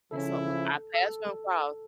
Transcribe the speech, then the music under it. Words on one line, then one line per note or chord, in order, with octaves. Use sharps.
it's what we our paths are gonna cross.
C#3 F3 C#4 E4 A4
A4